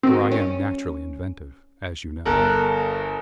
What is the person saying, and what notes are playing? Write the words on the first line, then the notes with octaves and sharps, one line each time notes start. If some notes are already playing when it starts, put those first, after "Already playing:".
For I am naturally inventive, as you know.
D#3 C4 F#4
C#4
G1 A4 A#4 F#6